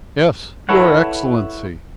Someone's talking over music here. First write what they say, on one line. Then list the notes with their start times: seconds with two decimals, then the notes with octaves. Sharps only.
"Yes, your Excellency."
0.69 E4 A4 B4 C#5 F#5